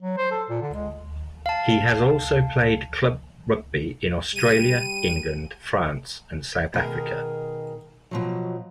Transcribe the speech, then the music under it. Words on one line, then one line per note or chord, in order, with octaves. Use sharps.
He has also played club rugby in Australia, England, France and South Africa.
F#3
C5
A4
A#2
D3
G#3
F5 A5
G3 D#7
B2 D#3 G#4 A#4
B2 F3 F#3